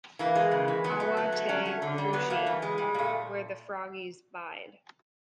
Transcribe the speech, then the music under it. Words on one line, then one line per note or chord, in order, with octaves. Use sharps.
"Awa tae Freuchie where the froggies bide".
E3 A#3
G#3
C#3
E3
F#3 B3
A3
F#3
A3
F#3 C#4
A3
D3
G3
F#3 B3
A3 A#3
E3
G#3
G3
A#2 A3